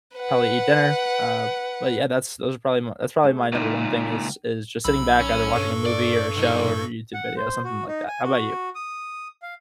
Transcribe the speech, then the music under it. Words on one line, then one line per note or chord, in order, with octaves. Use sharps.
probably eat dinner. Uh, but yeah, that's those are probably my That's probably my number one thing is is just sitting back either watching a movie or a show or a YouTube video, something like that. How about you?
B4 F#5
A3 G#4
C#2 A#2 D#4 E4 E5
B1 B5 E6
C#4
G2 A4 C#6
D5
B1 D#4
F#5
C5
F#4
D#4
G#5
F#4
D#6
F5